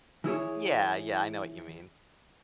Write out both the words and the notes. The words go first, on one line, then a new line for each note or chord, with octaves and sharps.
Yeah, yeah, I know what you mean.
E3 E4 G#4 C#5